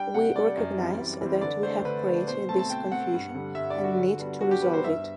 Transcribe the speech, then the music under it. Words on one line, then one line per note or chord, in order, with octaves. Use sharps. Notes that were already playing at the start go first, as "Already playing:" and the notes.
We recognize that we have created this confusion and need to resolve it.
Already playing: G3 D4 G5
C3 F#5
G3 D4 D5
F#2
E3 G3 C4
F#2
E3 G3 C4
D3 D5
A3 D4 C5
D3 B4
A3 D4
B2 C5
A3 C4 A5
A5
B2 G5
A3 C4 F#5
G2
D3 G3
G2 E5
D5
D3 G3
F#4
D3
G3 B3 D4
D3 F#4
G4
G3 B3 D4 B4
C5
G2 E5